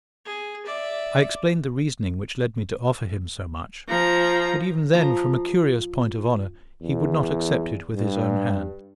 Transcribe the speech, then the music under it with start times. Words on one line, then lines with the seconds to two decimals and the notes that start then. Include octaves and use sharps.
I explained the reasoning which led me to offer him so much; but even then, from a curious point of honour, he would not accept it with his own hand.
0.26 G#4
0.66 D5 E5
3.88 F3 A#5
4.94 F3 A#5
6.81 E2
7.95 G2